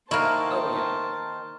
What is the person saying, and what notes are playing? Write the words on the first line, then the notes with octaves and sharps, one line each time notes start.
Oh, yeah.
D#3 A#3 E4 A#4 C5 A5 C#6